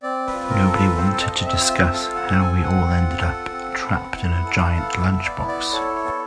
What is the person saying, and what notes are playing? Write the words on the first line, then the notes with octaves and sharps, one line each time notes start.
Nobody wanted to discuss how we all ended up trapped in a giant lunchbox.
C4 D5
B4
F4
A#4
A4
B4
C4 C5
D#5
C4
E5
F4
E5
A4 F5
F#5
C4
G#5
C4
F#5
F4
A4
C4
B3
E4
A4
B3 F5
E5
B3
D5
E4
D5
A4 C#5
C#5
B3